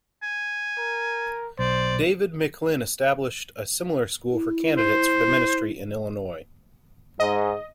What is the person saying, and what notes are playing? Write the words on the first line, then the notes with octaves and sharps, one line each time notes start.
David McLin established a similar school for candidates for the ministry in Illinois.
G#5
A#4
B1 C5 D5
E4
C5
G#2 D#5